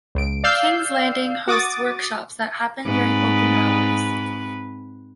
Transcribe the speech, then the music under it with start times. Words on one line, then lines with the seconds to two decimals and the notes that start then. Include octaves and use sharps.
Kings Landing hosts workshops that happen during open hours.
0.15 C#2 D7
0.44 D5 F5 E6 G6 C7
1.48 F#4 D6 D#6 A6
2.85 G#2 C4 B4